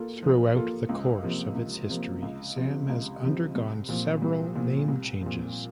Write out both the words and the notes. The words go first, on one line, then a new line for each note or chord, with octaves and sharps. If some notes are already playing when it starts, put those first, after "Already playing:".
Throughout the course of its history, Sam has undergone several name changes.
Already playing: A#3 F4 A4
F3
A#3 F4 A4
C#2
C3 F3 A#3
C#2
C3 F3 A#3
C#2
C3 F3 C4
C#2
C3 F3 C4
C2
A#2 F3
C2
A#2 F3
C2
A#2 F3